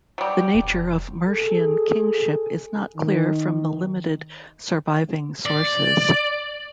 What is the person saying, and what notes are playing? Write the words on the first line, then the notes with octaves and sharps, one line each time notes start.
The nature of Mercian kingship is not clear from the limited surviving sources.
F#3 G3
F1
G#4 A4
D#3
D5